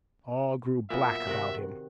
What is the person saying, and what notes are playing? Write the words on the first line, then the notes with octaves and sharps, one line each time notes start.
All grew black about him.
A#2 F#3 B3 E5
C3 D#3 F#4